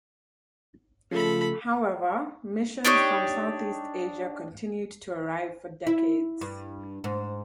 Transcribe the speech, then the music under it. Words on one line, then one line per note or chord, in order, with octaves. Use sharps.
However, missions from Southeast Asia continued to arrive for decades.
C#3 F3 A3 A4 B5
D4 D#4 G4 C#5
E4
G2
G#2